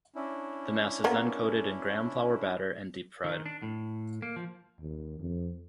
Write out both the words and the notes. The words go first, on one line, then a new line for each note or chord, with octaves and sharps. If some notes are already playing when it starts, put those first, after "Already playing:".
The mass is then coated in gram flour batter and deep fried.
C#4 D4 E4
A#3 B3
D#3
D4
A2
A#3
F3
D#2
F2